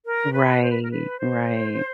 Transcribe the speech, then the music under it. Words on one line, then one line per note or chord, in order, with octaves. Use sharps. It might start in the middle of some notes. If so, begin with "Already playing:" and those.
Right, right.
A#4
B4
C5
B4
A#4
B4
C5